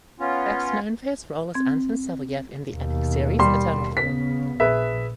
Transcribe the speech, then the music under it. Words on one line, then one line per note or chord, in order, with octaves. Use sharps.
Best known for his role as Anton Savelyev in the epic series Eternal Call.
B3 C#4 F4
C4 G#6
D#2 B2
G3 C6
C#3 B3 B6
A#1 G#4 B4 E5